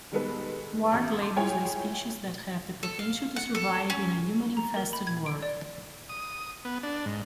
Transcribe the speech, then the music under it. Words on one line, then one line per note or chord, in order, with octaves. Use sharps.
Ward labels the species that have the potential to survive in a human-infested world.
D#3 G3 G#3 B3 A4 B4
A1 G6
A5 C6 D6
E4 F4 G#4 C#5 G5 G#5
A4
F5
F#5
A4
C#4
A#5
A#4
B5
G#6
D7
D5
D#6
B3
D4
G#2